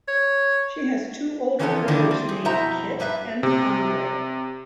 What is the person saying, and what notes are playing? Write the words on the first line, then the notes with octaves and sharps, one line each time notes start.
She has two older brothers named Kit and Andre.
C#5
E3 F3 A3 B3 G#4 A4
D3 D#3 F3 D4 E4
C4
G#4
F2 B2 E4 C5 E5 A#5
G2 B4 E5
C3